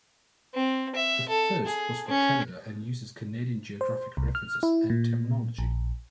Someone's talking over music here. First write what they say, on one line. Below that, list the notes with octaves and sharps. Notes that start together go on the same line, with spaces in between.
The first was for Canada and uses Canadian geographic references and terminology.
C4
E5
A4
G#4
C#4
C5
C2
F6
E4
A#2
A#1